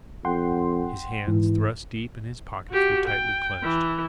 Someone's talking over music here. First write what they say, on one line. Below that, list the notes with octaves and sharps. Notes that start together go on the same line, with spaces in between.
His hands, thrust deep in his pockets, were tightly clenched.
F2 F#5 G5 C6
G#2 E3
F#4 G4
G5
E3